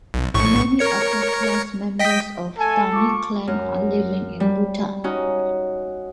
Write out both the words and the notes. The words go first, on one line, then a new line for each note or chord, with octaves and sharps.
Many upper class members of Thami clan are living in Bhutan.
B1
A#1 A2 C#6
A#4 C#5 C#7
D#5 G5 B6
A3 A4 G#5
F4 C#6 D6
F#2
G3
C#4 D#4 F#4